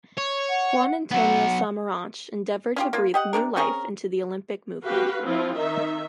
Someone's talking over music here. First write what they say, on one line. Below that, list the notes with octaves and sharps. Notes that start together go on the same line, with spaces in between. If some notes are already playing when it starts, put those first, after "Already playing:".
Juan Antonio Samaranch endeavoured to breathe new life into the Olympic Movement.
C#5
F#5
F#3 B3 F#5
C#4 F4 G4
A#3 F4
G4 D#5 F#5
C3 C#4 D4 A#4
C4 C#4 G#4 A#4
F#4 G4 B4 F5
F3 C4 E4 F4
D#3 D#4 E5